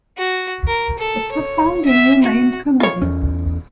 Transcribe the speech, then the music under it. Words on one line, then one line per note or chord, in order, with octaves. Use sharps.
A profoundly humane comedy.
F#4
A#4
A4
C#5
E5
F#4
F4 C#5
E2 C#4